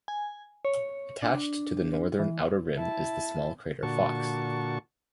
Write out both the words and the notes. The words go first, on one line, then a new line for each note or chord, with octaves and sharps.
Attached to the northern outer rim is the small crater Fox.
G#5
C#5
D4
E3
E4 A5
A#2 D3 F#4 A5 C#6